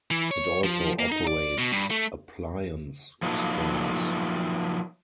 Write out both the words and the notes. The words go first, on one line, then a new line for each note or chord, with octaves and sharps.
It also operates appliance stores.
E3
C#5
F3
A#3
D#4
D5
B2
G2
A3
F3 F#3 A3 A#3 D#4